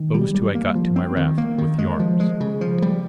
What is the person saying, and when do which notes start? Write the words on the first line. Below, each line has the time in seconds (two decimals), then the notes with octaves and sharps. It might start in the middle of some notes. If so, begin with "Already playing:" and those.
Those two I got to my raft, with the arms.
Already playing: D#3
0.14 G3
0.35 G3
0.55 A#3
0.75 F3
0.96 C4
1.17 D#3
1.38 A#3
1.58 D#3
1.78 G#3
1.99 F3
2.20 G#3
2.40 C#3
2.61 F3
2.82 G3